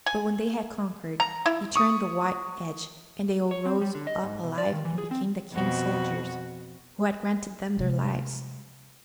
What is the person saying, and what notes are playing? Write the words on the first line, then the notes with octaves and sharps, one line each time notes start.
But when they had conquered, he turned the white edge, and they all rose up alive and became the King's soldiers, who had granted them their lives.
G#5
A#5
E4
C#6 D#6
C#5
C4
G3
D3
D#5
G#2
B2
D5
D#3
E3
G#4
C4
F2 B2 F#4
C3 G#3